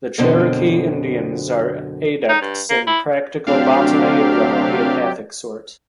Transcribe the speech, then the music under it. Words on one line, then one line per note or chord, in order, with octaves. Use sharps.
The Cherokee Indians are adepts in practical botany of the homeopathic sort.
F#2 B2 D3 C4
D#4
G2
A#3
E4
D2 C3 F#3 C4 D4 G4 F5